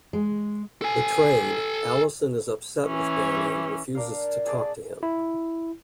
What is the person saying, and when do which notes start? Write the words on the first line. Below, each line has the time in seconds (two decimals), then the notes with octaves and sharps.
Betrayed, Allyson is upset with Danny and refuses to talk to him.
0.13 G#3
0.82 A4 G#5
2.85 E3 C#4
3.95 D4 A#4 D5 F5
4.45 A#3 G#4 D5 A5
5.03 E4